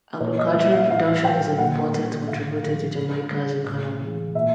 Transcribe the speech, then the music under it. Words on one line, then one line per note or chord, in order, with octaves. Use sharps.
Agricultural production is an important contributor to Jamaica's economy.
A#2 C#5
D#5
G3 E5
F5
A2 F5
F#3 G5
A#2 F#5
G3
A2 F5
F3 G#3
D3
G3
A2
E3 G#3
A#2 E5